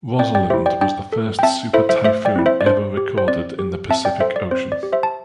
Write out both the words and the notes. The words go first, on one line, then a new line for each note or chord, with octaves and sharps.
Rosalind was the first super typhoon ever recorded in the Pacific Ocean.
C4 D5 G5
D5 G5
E4 G4 C5 E5
D5 G5
D4 D5 G5
A4
G5
C4 E5 A5
E4 A4 C5 E5
C5 E5
A3 C5 E5
D5 G5
C4 E4
C5 E5
D5
D4 C5
G4
C5
C4 D5
G4
C4 E5 A5
D5 G5
A4 C5 E5
D5
C4 C5
D5
G4
C5 E5
A5